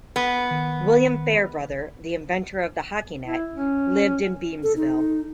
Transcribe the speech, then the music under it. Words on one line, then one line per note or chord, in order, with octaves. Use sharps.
William Fairbrother, the inventor of the hockey net, lived in Beamsville.
B3
D#3
G1
E4
C#4
A4
D#4